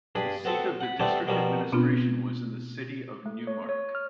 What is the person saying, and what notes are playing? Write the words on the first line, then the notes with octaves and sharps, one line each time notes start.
The seat of the district administration was in the city of Neumark.
G2 D4 G#4 B5
B3 C4 A4
F#5 B5
G3 A3 B3 C4 A4 D5
B2 F3 G3 A#3
B2 B3 C4 D4 F4
A3
C#5
C#5
F6